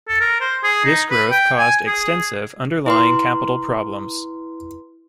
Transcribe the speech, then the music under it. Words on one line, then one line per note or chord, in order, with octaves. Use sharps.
This growth caused extensive underlying capital problems.
A4
A#4
C5
G#4
D#4
B4
G5
G#5
G#4
E4 B4 C6